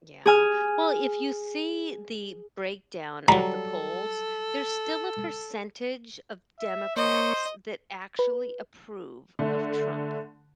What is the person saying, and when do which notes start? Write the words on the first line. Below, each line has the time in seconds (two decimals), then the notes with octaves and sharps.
Yeah. Well, if you see the breakdown of the polls, there's still a percentage of Democrats that actually approve of Trump,
0.26 G#4 G#5 F6
3.28 F#3 G3 A4 A#5 B5
6.60 E5
6.96 A#3 C5 C#5 D#5
8.19 B4
9.39 D3 A3